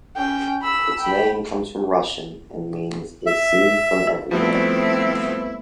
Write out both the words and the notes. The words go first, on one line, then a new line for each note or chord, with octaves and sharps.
Its name comes from Russian and means "is seen from everywhere".
C#4 G5
B5 E6
G5 B5
E5
F3 G3 A3 B3 C4 E4 F#4 B4